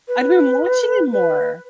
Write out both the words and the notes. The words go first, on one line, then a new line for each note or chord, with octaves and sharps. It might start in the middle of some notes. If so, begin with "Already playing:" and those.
I've been watching him more.
B4
B4